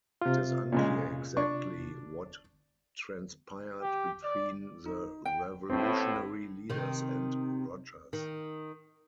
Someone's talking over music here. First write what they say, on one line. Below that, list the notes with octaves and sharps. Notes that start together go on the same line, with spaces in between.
It is unclear exactly what transpired between the revolutionary leaders and Rogers.
C3 F4
A#2 C#3 G#3
D4 C#6
G4
D5
D#4
G5
A1 A2 C4
C3 D#3
D#3